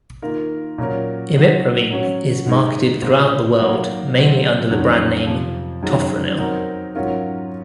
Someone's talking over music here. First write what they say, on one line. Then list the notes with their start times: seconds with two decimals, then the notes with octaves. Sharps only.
Imipramine is marketed throughout the world mainly under the brand name Tofranil.
0.22 D#3 A#3 F4 A#4
0.78 A#2 F#3 C#4 F#4 A#4
1.35 F#3 C4 D#4
1.90 F#3 C#4 F#4
2.46 G#2 D#3 G#3 D#4
3.02 A#2 G#3 C4
3.58 G#2 F#3 A#3
4.14 C3 F#3 C4
4.70 F2 D#3 F#3 C#4 G#4
5.26 F2 C3 F3
5.82 F#2 D#3 G#3 C#4 F#4
6.38 F#3 C4 D#4 A#4
6.95 G#2 F#3 C#4 F4 A#4